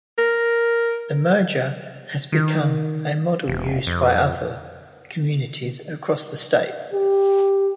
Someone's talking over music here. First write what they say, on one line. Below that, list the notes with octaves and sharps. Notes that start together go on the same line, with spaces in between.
The merger has become a model used by other communities across the state.
A#4
D#3
E1
F2
G4